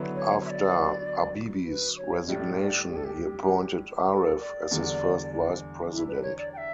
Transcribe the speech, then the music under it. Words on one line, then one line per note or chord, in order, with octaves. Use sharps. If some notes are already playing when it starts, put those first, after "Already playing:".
After Habibi's resignation, he appointed Aref as his First Vice President.
Already playing: D3 F#3 B3 E4
C#5
E5
D5
B4
C#5
A2 G3 D4 D5 E5
D5
G4
A4
G4
B4
A4
D5
E2 D3 G3 D4
E4
B4
C#5
D5
G5
E5